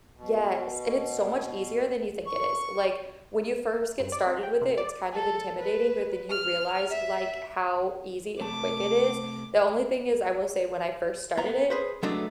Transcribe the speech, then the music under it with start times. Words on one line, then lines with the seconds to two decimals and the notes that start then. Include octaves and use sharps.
Yes, and it's so much easier than you think it is, like, when you first get started with it, it's kind of intimidating, but then you realize, like, how easy and quick it is, the only thing is- I will say- when I first started it,
0.17 B2
2.26 C#6
4.00 G2
4.12 D5
4.27 C4
4.43 G5
4.61 C3
4.78 D5
5.13 A4
5.59 B4
6.30 F6
6.91 E5
8.40 C3 A3 A5 D6
11.38 B3 A#5
11.70 G#4 B4 C5
12.03 F#3 G#3 A3 B3 D4 F#4